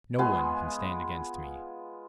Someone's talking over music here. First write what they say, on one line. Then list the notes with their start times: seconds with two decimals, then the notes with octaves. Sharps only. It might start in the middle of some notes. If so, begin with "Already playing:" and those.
No one can stand against me.
0.18 G#3 B3 F4 G#5